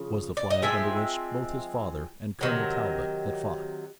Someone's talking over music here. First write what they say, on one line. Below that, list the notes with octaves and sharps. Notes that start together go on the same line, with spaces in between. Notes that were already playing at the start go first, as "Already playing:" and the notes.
It was the flag under which both his father and Colonel Talbot had fought.
Already playing: C#3 F3
D5
D#5
F3 G#3 C4 E5
C3 D#3 F#3